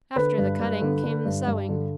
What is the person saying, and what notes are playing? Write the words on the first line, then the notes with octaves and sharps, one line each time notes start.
After the cutting came the sewing.
D3 B4
G2
G2
D3
D3
G2
G2
D3